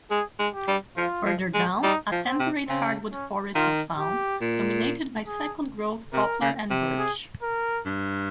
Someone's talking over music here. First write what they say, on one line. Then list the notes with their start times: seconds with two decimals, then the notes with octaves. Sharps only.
Further down, a temperate hardwood forest is found, dominated by second-growth poplar and birch.
0.11 G#3 G#4
0.39 G#3
0.54 G4
0.68 G3
0.97 F3 F4
1.26 F3
1.54 G#3
1.83 G3 D#4
2.12 F3
2.26 C4
2.40 C3
2.68 C#3 C4
3.13 C#4
3.55 D#3 F4
3.98 G4
4.41 A#2
5.27 G#4
6.13 C3 A#4
6.41 C#3
6.70 C3
6.99 G#4
7.43 A#4
7.85 G2